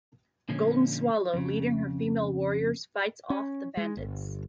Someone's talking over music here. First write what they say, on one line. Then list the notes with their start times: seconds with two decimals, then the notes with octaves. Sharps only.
Golden Swallow, leading her female warriors, fights off the bandits.
0.49 A#2 D3 F3 G#3 A#3 C#4
1.34 F2 C#3
3.30 C#4
3.77 G#3
3.97 G1